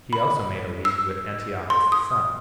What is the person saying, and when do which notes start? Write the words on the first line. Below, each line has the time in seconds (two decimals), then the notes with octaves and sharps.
He also made a league with Antiochus the son.
0.13 B5
0.85 E6
1.70 C6
1.92 D#6